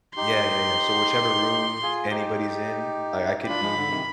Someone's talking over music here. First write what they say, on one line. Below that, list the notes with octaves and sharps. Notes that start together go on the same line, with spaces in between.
Yeah, yeah, yeah. So whichever room anybody's in, I I could be
D#4 G4 C6
F4 G#4
D#4 G4
G4
D4 F4 B5
F3 G#3
D3
C3 D#3